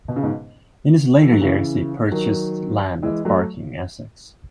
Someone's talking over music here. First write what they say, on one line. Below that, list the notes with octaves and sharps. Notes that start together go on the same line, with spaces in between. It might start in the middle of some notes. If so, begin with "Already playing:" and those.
In his later years he purchased land at Barking, Essex.
B2
C#3
G#2 B2
E3
F#3
C#3 E3
D#3 F#3
E3 G#3
F#3 A3